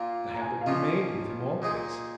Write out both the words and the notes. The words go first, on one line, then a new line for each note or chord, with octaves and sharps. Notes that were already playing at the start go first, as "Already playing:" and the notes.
The habit remained with him always.
Already playing: A#2 A#3 F4 F5
A#5
G#5
F5
A#2 F3 C#4 F4 D#5
A#2 G#3 D#4 G#4